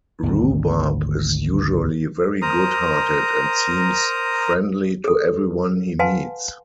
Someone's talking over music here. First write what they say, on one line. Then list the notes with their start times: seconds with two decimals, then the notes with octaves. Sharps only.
Roobarb is usually very good hearted and seems friendly to everyone he meets.
0.23 G#1 D2
2.42 A#4 C5 A#5 D#6
5.04 G#4 A4
5.99 B4 F5 F#5 G#5 A5 C6